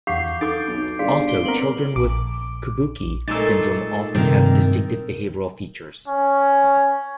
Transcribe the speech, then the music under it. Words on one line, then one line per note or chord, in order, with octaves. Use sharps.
Also, children with Kabuki syndrome often have distinctive behavioral features.
E2 G4 F5 F#5 D6 G6 C7
D#4 A4 D6 G6 A6 D7
B1
G1 G#4 D5 F5 C6
B6 D7 G7
B3 C4 A#4 F#7
A#1 D6
A#2 G#3 A3 D#4 E6 A6
G2 C3 D#3 A#4
C#4